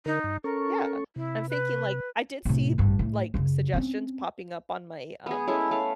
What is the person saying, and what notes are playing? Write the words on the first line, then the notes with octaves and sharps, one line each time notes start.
yeah, I'm thinking like, I did see, like, suggestions popping up on my, um,
D3 D#4 A#4
G2
C#4 A4 A#4 C#6
C3 E4
B4
A2 C3
A1 G2
A2
F#2 C#3
C4 C#4
B3 G#4
G#3 A3 C#4 E4
A3 F5